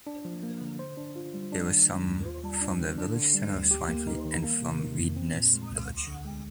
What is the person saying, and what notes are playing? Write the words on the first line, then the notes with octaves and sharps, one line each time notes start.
It was some from the village centre of Swinefleet, and from Reedness village.
D4
F3
A#3
D3
C5
D4
F4
G3
D4
D#3
G#3
D#2
F4
G3
D4
D3
D4
D3
G3
D2
G4
A#3
D#4
D#3
A#3
C3
D#3
F2
C4
A#2
G#3
C2
D2
D3
G#3